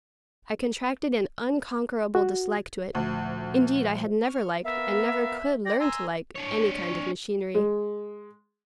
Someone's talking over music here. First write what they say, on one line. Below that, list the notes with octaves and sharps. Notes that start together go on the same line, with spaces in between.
I contracted an unconquerable dislike to it; indeed, I had never liked, and never could learn to like, any kind of machinery.
F#4
D2 A#2 F3 A3
C#6 F6
B3 A#4 E5 F5
D5 G5 A#6
G#5 A#5 C6 E6
D4 C#5
G#3